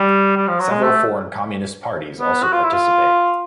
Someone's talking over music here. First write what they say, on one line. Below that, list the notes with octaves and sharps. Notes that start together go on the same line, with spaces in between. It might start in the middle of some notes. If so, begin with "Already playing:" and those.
Several foreign communist parties also participate.
Already playing: G3
G3
F3
F#3
G#3
A3
B3
F#4
F4
E4
F4